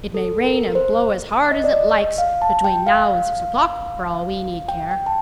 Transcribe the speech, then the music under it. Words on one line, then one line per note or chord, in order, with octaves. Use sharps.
'It may rain and blow as hard as it likes between now and six o'clock, for all we need care.
A4
A4
A#4
C5
D#5
D5
D#5
F5
A5
G5
F5
G5
G5
A5